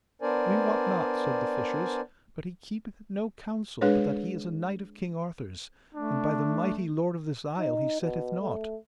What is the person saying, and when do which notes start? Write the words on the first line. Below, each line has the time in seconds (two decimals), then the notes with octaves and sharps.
We wot not, said the fishers, but he keepeth it no counsel but that he is a knight of King Arthur's, and by the mighty lord of this isle he setteth nought.
0.22 B3 D4 A#4 C5 D5 G#5
3.81 G#3 D4 G#4 B4 C#5
5.94 A3 D4
7.59 D#4
8.01 B2
8.40 A3